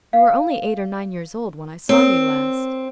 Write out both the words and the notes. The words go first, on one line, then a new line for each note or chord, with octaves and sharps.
"You were only eight or nine years old when I saw you last."
F5
C4 A#4 C#5